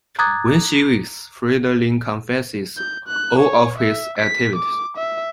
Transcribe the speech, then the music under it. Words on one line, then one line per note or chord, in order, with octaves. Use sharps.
When she wakes, Fridolin confesses all of his activities.
A#5 D6 D#6 F#6 G#6 A6
G6
F#6
C#5
E5
B6
D6
E5